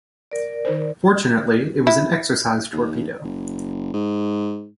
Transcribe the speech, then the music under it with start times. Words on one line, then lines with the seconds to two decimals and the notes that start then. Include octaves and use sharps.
Fortunately, it was an exercise torpedo.
0.32 A#4 D5
0.65 D#3 D#4 C5
1.87 E4
2.73 D#2
3.23 F#1
3.94 G#2